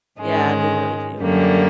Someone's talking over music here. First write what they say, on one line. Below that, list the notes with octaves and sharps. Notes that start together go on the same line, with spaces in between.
Yeah, they really do.
G#2 D#3 G#3 C#4
F#2 D3 G3 A#3